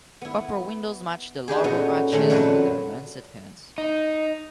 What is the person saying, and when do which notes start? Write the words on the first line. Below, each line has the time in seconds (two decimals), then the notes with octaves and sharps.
Upper windows matched the lower arches with their lancet heads.
0.21 B3 E4
1.48 D4 D#4 G4 G#4
1.64 A#2 B3 C#4 D#4 F#4 A4
2.12 A#2 D#3 F#3 G#3 A3 C#4
2.30 F2 A#2 F#3 B4 A5 B5
3.78 D#4